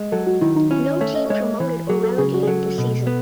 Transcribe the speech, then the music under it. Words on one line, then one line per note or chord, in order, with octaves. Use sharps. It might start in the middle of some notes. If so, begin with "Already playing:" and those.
No team promoted or relegated this season.
Already playing: G#3
F#3 A4
F#4
D#3 E4
D#4
C#4 E4
C#5
A3 C#5
D#5
G#3 C#5
E3
F#3 G#4
A4
C#3 G#4
F#4
G#4
F#3 A4
B2
B3